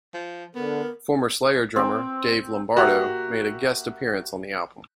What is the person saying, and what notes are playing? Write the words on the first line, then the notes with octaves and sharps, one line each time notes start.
Former Slayer drummer Dave Lombardo made a guest appearance on the album.
F3
D3 B3 A#4
C4 G5
A#3 F#4 G4 E5 A#5